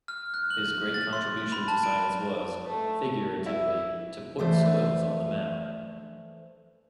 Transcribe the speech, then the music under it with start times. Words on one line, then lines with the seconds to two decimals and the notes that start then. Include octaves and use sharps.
His great contribution to science was, figuratively, to "put soils on the map".
0.08 F6
0.34 F#6
0.50 F#7
0.94 A6
1.13 C6
1.52 B5
1.68 A5
1.84 D7
2.64 A3
3.46 E4
4.39 E3 A3 A4 C5 D5 E5